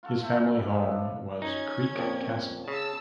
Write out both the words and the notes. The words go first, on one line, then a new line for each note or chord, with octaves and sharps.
His family home was Creich Castle.
F4 F#4 A4
A4 E5 F5 G5
F3 G3 G#3
A2 G#3 D#5
D4
C#4 D#4 G#6
A#1 F2
C#3 A5 E6